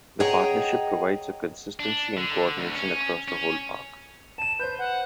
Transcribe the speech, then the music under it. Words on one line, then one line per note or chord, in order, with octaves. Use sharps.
The partnership provides a consistency and coordination across the whole park.
G#4 C#5 D#5 F#5 G5 A#5
D4
D3
D2
C#4
C#4
A5 D#7 E7
B4 C5 G6
F#5